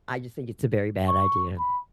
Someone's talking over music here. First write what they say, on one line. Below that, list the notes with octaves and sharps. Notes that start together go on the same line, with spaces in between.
I just think it's a very bad idea.
C#6
B5